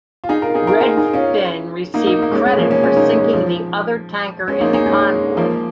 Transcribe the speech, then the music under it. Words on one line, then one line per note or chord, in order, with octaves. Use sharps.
"Redfin" received credit for sinking the other tanker in the convoy.
F4
D#4 G#4
F4 A#4
D#4 G#4
F4 A#4
D#4 G#4
D#4 G#4
C#4 F4
A#3 D#4
A#3 D#4
A#3
G#3 C#4
G#3 C#4
F3 A#3
G#3 C#4
G#3 C#4
A#3 D#4
G#3
F3
G#3 C#4
A#3 D#4
D#4 G#4
G#3 C#4
F3 A#3